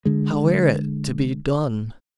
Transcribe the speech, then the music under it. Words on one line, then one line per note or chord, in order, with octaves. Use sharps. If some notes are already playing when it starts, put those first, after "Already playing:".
How air it to be done?
D3 G#3